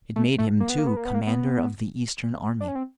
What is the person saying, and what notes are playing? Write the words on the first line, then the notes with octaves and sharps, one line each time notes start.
It made him, too, commander of the Eastern army.
A3
A3
A#3
B3
A#3
B3
A#3
B3
A#3
B3
D4
C#4
C4